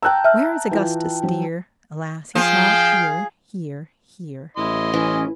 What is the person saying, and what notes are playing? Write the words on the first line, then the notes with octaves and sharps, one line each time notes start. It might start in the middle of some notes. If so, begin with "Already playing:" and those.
'Where is Augustus dear? Alas! he's not here, here, here!'
G5 A5 A#5 E6 F#6
E5 F6
E3 F4
F3 F#3
F3 G#4 F5 G5
A1 E4 D#5 C6
E3 C#4